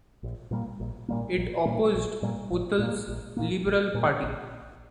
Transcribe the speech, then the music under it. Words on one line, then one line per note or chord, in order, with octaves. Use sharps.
It opposed Utah's Liberal Party.
A#1
A#2 G3 A#3
A#1
A#2 G3 A#3
A#1
A#2 G3 A#3
A#1
A#2 G3 A#3
A#1
A#2 A#3
A#1
A#2 A#3
A#1
A#2 A#3
A#1